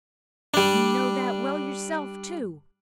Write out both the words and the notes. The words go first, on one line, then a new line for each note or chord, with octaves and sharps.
You know that well yourself, too.
G3 D4